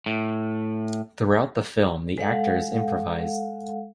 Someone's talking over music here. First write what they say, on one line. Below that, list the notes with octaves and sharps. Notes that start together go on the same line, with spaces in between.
Throughout the film the actors improvised.
A2
G#3 A4 F5 F#5